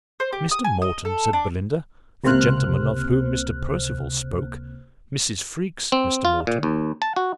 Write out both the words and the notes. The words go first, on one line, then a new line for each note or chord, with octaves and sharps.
"Mr. Moreton!" said Belinda, "the gentleman of whom Mr. Percival spoke, Mrs. Freke's Mr. Moreton?"
C5
G4
D#6
G#5
D#5
A4
D4
C#2 C3 A#3 C5 F6 F#6
C4
F4
A#2
D#2
A5
F#4